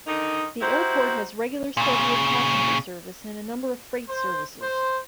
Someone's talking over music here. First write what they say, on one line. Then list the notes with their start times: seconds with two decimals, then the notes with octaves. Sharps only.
The airport has regular scheduled passenger service and a number of freight services.
0.07 D3 D#3 D#4
0.61 D#4 E4 F#4 G4 C5
1.77 A#2 C#3
4.08 C5
4.60 C5